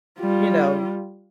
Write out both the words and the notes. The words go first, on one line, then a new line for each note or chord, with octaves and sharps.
you know?
G3 F4